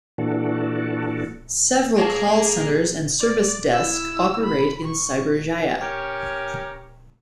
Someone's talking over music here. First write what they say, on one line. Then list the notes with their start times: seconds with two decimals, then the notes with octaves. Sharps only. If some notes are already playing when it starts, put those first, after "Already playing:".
Several call centres and service desk operate in Cyberjaya.
0.18 A#2 E3 D4 F#4 A4
1.98 A#3 G#4 C#5 A5
3.20 D5
3.73 E4 E6
4.44 B5
4.85 C#6
5.82 C#4 G4 A#4 C#5